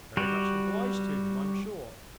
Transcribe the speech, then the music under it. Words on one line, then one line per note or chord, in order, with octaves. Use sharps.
'Very much obliged to him, I'm sure.
G3 F#4 G4